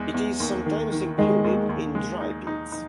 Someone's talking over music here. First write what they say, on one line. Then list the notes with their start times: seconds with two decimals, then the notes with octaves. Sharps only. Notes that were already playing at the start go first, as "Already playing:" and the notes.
It is sometimes included in "Drypetes".
Already playing: E2 G#3
0.14 E2
0.40 D#2
0.66 D#3
0.92 D#3
1.18 D#3 G#3
1.44 D#2
1.69 D#2
1.95 G#3
2.21 D#4
2.47 D#4
2.72 D#4